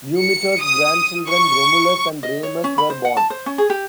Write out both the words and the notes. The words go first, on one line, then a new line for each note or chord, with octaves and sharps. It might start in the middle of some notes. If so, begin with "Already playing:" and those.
Numitor's grandchildren Romulus and Remus were born.
C#7
D#6
C#6
D#5
C#5
C#4
B5
C5
F#5
A5
C5
C#4
G#4
G4